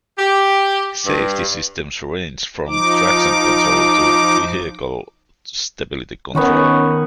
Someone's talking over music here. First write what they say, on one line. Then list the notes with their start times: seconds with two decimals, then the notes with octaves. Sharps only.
Safety systems ranged from traction control to vehicle stability control.
0.19 G4
1.05 G2
2.68 F3 D#4 D6
6.35 D#3 B3 C#4 C#5 F#5